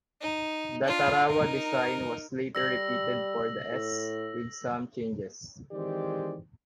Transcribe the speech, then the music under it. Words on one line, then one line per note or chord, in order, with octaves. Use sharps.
The "Tarawa" design was later repeated for the s, with some changes.
D#4
D4 F4
D#4 A#4
G3 E6 A#6 F#7
A2
D#3 E3 G#3 C4 G4 D5